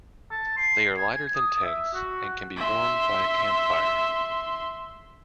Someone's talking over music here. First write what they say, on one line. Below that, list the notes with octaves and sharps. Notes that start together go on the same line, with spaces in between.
They are lighter than tents and can be warmed by a camp fire.
A5
C6
G#5
D#6
D#6
E5
F#4
E5 C6